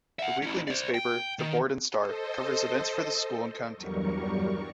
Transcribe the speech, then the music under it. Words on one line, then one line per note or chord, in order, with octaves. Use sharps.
The weekly newspaper, the "Borden Star", covers events for the school and county.
E5 F#5
C#4 E4
C5 D5
G5
D#3
A4 C5 D#5
E2 G2 F#3 G3 A#4 C#6